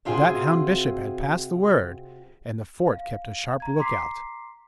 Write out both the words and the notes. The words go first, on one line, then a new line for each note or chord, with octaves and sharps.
But that hound Bishop had passed the word, and the fort kept a sharp lookout.
C3 C4 F4 F#4 G#4
F5
A#5 G#6
A#5 C6 D6 B6 C7